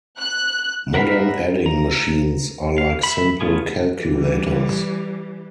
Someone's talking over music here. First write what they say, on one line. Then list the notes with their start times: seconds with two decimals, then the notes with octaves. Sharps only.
Modern adding machines are like simple calculators.
0.19 F#6
0.94 F#4 A#4 E5 F5 B5
1.66 A#5
2.78 F5
3.03 E5 B5
3.41 A3 B3 F4 G#4
3.97 E3 G3